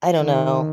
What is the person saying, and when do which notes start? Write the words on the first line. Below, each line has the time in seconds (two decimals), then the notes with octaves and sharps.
I don't know.
0.21 D#3